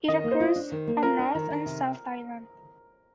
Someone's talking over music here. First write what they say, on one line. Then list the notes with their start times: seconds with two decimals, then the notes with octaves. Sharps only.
It occurs on North and South Island.
0.08 D#3 D#5
0.24 A#3
0.31 C5
0.40 F4
0.56 D4
0.72 D#3
0.87 A#3
1.03 F4 A#4
1.19 D4
1.35 D#3
1.50 D#3
1.66 C3